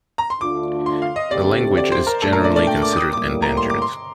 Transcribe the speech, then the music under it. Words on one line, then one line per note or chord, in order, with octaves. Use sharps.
The language is generally considered endangered.
A#5
C6
D2 D3 A3 D4 F4 D6
C6
F5
D#5
D2 D3 A3 C4 G4 D5
D5
C5
A#4
A#2 A3 D4 A4
A#4
D5
D5
G5
D6
D6
D#6
A2 G3 A#3 D6
A#5
C6
D6
C6